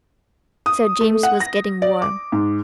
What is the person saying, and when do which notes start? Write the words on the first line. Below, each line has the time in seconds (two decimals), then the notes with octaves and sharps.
Sir James was getting warm.
0.66 D#6
1.01 A3
1.23 F#5
1.40 A#6
1.82 D5
2.02 D6
2.32 G#2